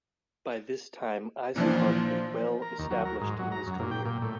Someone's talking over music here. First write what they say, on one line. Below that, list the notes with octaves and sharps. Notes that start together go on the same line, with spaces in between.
By this time Eisenhart was well established in his career.
A#2 E3 F3 D4
A#4
D#2
F#3
A#4
G#2
F#3
A#5
F#2
A#2
G5
A#2
A2